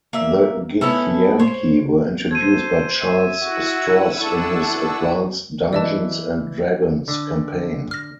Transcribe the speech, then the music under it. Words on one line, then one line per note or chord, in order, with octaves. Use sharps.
The githyanki were introduced by Charles Stross in his "Advanced Dungeons and Dragons" campaign.
A#3 E5
B3 C#4 E4 A4
C5 C#5
A4 C5 G#6 D#7
E5
E4 F#4 F#5 E6
D4 A4 A5 C#6
E3 D5 D#5 A5
D3
F6 A#6